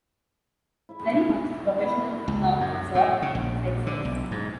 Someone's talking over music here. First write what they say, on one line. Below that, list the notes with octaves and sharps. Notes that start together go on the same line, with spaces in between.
Very much the professional now, absorbed, sexless.
E4 D5 E5
B3 E4 D5
C#2
F#2
A2
C#3
A#1
D3
B1
G#2